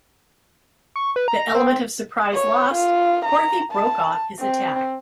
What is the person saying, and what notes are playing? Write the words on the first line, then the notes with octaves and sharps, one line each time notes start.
The element of surprise lost, Horthy broke off his attack.
C#6
B4
A#5
C4
C#5
F4
A#5
A5
C4